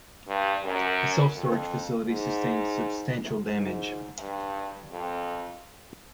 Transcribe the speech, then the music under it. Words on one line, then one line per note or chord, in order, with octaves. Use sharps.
A self-storage facility sustained substantial damage.
G2
F#2
F2
G#2
G#2
G2
F2